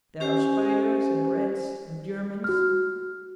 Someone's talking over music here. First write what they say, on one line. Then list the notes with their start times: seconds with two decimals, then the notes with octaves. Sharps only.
There are spiders, and rats, and Germans.
0.20 C#4 G4 C5 G#5
2.44 F#4 F6